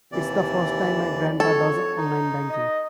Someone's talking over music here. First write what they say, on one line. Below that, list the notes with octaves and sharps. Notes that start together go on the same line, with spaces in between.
It's the first time my grandpa does online banking.
D#2 C3 E3 D5
F2
A4 C#5
D#4
D#5